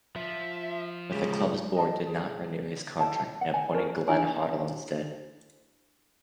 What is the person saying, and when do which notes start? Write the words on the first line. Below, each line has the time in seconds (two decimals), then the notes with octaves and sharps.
But the club's board did not renew his contract and appointed Glenn Hoddle instead.
0.16 F3 E5
1.12 C#3 G#3 G4
1.76 D#5 A5
2.06 G#4
2.99 E4 A4 G5 A5
3.41 F#5
3.54 G#5
3.74 C#4 A4 A#4
4.08 D4 E4 G#5